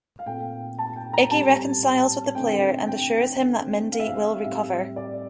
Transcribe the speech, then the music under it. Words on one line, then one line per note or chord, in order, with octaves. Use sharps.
Iggy reconciles with the player and assures him that Mindy will recover.
F5
A#2 A3 C4 G5
A5
G5
A#5
A2 G3 C4 A5
D3 A3 C4 G5
G5
D3 A3 C4
F5
E5
F5
A2 G3 C4 E5
D5